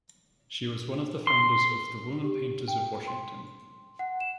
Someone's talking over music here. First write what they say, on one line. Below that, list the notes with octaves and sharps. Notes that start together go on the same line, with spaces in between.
She was one of the founders of the Women Painters of Washington.
C6
G4
G5
C6
F#5
E7